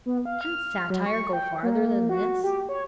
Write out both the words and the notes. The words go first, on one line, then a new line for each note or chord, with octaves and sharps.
Can satire go farther than this?
B3
F5
F6
F#3
C#6
G5
A#3
F#4
G4
C#5